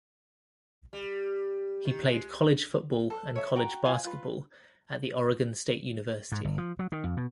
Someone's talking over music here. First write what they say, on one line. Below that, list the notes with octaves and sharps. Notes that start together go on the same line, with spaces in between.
He played college football and college basketball at the Oregon State University.
G3
D#3
G#3
A4
C#5 E5
F#4 G5 A#5
F4 C5 F5 G#5
F4 B4
G#2
G1
F3
F#3
D#3
F2
B2